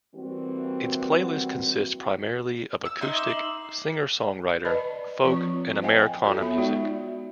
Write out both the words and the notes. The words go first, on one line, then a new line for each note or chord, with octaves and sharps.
Its playlist consists primarily of acoustic, singer-songwriter, folk and Americana music.
E3 G3 A#3 C4 F#4
E6
D#4 E5 C6
D6 E7 G7
C7 F#7
B4 D5 D#5 A5 B5
F3 C4 F4 C#5 C#6
C5 D#5 F5 G5 G#5
F4 F#4 A4 C#5
B3 E5 B5
G#3 D#4 F#4 D5 E5